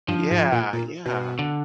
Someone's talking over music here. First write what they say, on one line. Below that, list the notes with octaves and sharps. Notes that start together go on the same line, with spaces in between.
Yeah. Yeah.
G2 F3
G#2
A#2
A#2
B2
D3